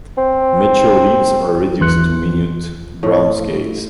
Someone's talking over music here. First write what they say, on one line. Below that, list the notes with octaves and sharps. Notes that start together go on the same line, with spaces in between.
Mature leaves are reduced to minute, brown scales.
C4
G#1 E2 E3 C6 F#6 C#7
A2